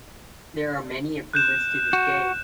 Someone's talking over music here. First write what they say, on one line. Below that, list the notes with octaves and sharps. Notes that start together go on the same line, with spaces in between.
There are many improvements to this game.
F#6 G6 E7
F#4